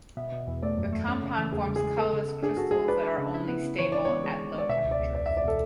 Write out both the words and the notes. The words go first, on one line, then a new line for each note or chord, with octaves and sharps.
The compound forms colorless crystals that are only stable at low temperatures.
B2 E5
B2
E2
A3 D5
F#2
A3
C#4
C#3
E3
E2 G#4
C#3
G#4
G#3
B3 A4
C#3
B3
D4 G#4
F#4 A4
G#3 G#4
D4 B4
D4
C#3
E4
B3
C#3
E3 C#5
D4 D5
B3 C#5
G#3
G#3
B3 D5
B2 E5
C#2
D5
C#2
E2 D5
E5
E2
D5
B2 A4